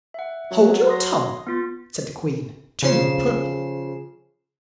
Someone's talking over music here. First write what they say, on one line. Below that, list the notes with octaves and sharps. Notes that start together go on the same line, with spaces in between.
'Hold your tongue!' said the Queen, turning purple.
E5 F#5
F#3
C6 D#6 A#6
B3 F4 A6
C#3 F3 C7 E7